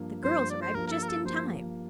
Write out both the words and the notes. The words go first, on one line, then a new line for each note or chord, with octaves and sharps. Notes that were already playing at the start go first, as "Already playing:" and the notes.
The girls arrived just in time.
Already playing: G2 F3 A#3
G2 F3 A#3 C5
D5
C5
G2 F3 A#3 A#4
A#4
A4
A#4
A4
F3 A#3 C5